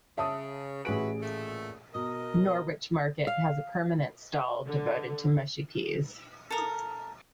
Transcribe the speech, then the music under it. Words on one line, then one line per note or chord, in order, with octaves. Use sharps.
Norwich Market has a permanent stall devoted to mushy peas.
C#3 E5 A5 D#6
A1 E4 F#4 G#4 B4 D7
A#2 A3
B2 A#4 D#5
F5
D3
A4 A#4